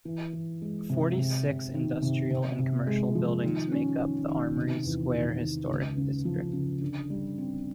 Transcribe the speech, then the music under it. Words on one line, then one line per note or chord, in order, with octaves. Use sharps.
Forty-six industrial and commercial buildings make up the Armory Square Historic District.
E3
E3
G#3
C3
C3
C3
D#3
C3
C3
C3
G#3
F3
D#3
C#4
D#3
D#3
C3
E2
D#3
D#3
C#2
C#3
F3
C#3
D3
G3
C4